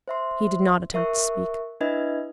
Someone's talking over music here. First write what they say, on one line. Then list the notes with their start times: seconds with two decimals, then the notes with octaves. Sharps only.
He did not attempt to speak.
0.08 C5 E5 C6
0.94 A#4 E5 C#6 F#6
1.81 D4 E4 B4 D#5 E5 G#6